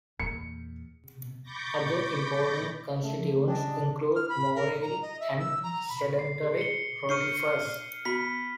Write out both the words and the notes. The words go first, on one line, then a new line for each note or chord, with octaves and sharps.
Other important constituents include motile and sedentary Rotifers.
E2 A#2 C#7
B5 C#6 D6 G6 A6 A#6
C#3 A3 A4
D4 G4 G#4 D#5
F6
B5
A#4
A#5
D#5
E5
E6
A#5
B5
C7
G#4
C#7 G7
D4 F6 G6 C7 C#7 D#7 G7
B3 F#4 B5 B6